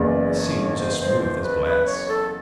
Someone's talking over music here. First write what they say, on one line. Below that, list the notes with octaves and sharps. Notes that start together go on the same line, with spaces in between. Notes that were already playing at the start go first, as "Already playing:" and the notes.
The sea was as smooth as glass.
Already playing: F#1 E2 C#3 D5
C#5
C5
C5
C5
B4
B4
C#5
A4